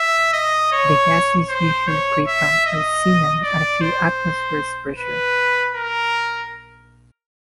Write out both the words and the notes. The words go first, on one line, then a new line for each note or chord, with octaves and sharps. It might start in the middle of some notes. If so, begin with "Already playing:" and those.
The gas is usually krypton or xenon at a few atmospheres pressure.
Already playing: E5
D#5
C#5
C5
C#5
E5
D#5
D5
C5
B4
A#4